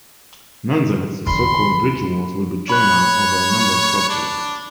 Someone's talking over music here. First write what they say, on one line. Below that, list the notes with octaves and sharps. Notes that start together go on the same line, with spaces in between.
Nonetheless, the so-called "Bridge Wars" would be drawn out over a number of proxies.
E2 D3 B5 C6
C#5 B5 F#6
D4